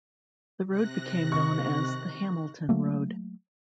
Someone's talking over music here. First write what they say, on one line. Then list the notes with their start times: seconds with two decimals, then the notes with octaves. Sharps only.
The road became known as the Hamilton Road.
0.68 C3 F#6 A#6
1.32 D#3 C#6
2.69 F#3 A3 A#3